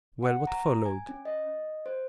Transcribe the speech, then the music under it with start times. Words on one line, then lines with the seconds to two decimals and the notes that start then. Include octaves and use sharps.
"Well, what followed?"
0.23 F#5
0.47 A#5
0.86 G#5
1.09 C#4
1.25 D#5
1.86 C5